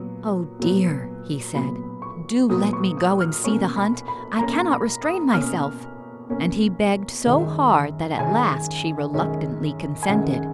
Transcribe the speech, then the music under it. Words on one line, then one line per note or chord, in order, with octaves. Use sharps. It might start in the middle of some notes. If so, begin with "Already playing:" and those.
"Oh dear," he said, "do let me go and see the hunt; I cannot restrain myself." And he begged so hard that at last she reluctantly consented.
Already playing: A#2 F#3 B3
A#2 F#3 B3
A#2 F#3 B3 B5
C#6
A#2 F#3 B3 D#6
C#6
D#6
F6
B2 A#3 C#4 C#6
B5
B5
B2 A#3 C#4 A#5
B5
D#6
B2 A#3 C#4 F6
B2 A#3 C#4
F#2 D#3 G#3 C#4
F#2 D#3 G#3 C#4 G#5
F#2 D#3 G#3 C#4
G#5
F#2 D#3 G#3 C#4 F#5